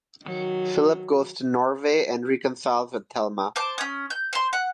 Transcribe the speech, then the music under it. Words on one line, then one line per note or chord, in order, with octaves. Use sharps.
Philip goes to Norway and reconciles with Thelma.
D#3 F#3
C5 A5 D6
C#4 D#6
G6
C5 C6
F#5